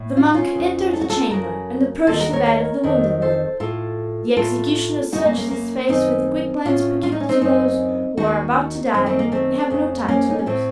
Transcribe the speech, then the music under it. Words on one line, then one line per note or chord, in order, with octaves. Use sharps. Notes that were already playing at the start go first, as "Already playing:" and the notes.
The monk entered the chamber and approached the bed of the wounded man. The executioner searched his face with the quick glance peculiar to those who are about to die and have no time to lose.
Already playing: A2
F4
F#4
C#4 F4
F2 C#3
A4
F#4
F4 A4
F#2 C#3 F#4 A#4
D#2 D#3 F4 A4
F#4 A#4
A#4 C#5
A#4 C#5
F2 D#3
A4 C5
A2 F4 A4
A2 F4 A4
F#2 C#3 D#4 F#4
A#3
A#3
A#3
F#2 D#3 C4 D#4
A2 C#4 F4
F4
D#4
C#4
C4 D#4
F#2 C#3 C4 D#4
D#2 D#3 D#4 F#4
F#2 D#3 C4 D#4
A3 C4
A#3
A3 C4
F2 C#3
A#3 C#4
D#4
C#4
A2 A3 C4